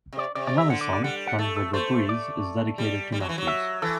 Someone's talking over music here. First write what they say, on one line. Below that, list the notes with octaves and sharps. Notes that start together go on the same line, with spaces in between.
Another song, "Gone With the Breeze," is dedicated to Mathews.
C3
D5
C3 D5
D5
E5
D3 F#5
D5
D5
G3 F#5
F#5
A3 A4
A4
A3 C5
D5
G3
G3
F#3
E3
F#3
E5
E3 A4